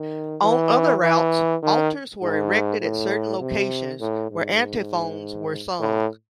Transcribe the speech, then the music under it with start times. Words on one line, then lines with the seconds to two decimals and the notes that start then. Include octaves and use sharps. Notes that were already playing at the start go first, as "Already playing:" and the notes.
On other routes, altars were erected at certain locations where antiphons were sung.
Already playing: D#3
0.43 E3
1.02 E3
1.62 D#3
2.22 G#2
2.81 A2
3.41 C3
4.00 A2
4.31 G#2
5.79 A2